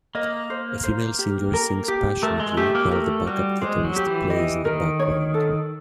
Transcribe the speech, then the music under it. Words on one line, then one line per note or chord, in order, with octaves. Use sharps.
A female singer sings passionately while the backup guitarist plays in the background.
A#3 D#5
C5
C5
G4
A#4
G4
A3 A#4
G#3
A3 G4
A#3
A3 A#4
G3 F#4
G#3 C5
F#3
G4
E3
E3 D#5
D#3 A#4
C#5
A4